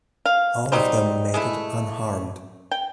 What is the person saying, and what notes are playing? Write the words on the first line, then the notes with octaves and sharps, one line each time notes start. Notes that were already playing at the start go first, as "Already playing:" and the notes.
All of them made it unharmed.
F5
F#3 G3 D#4 C5
G#3 A3 E4
G5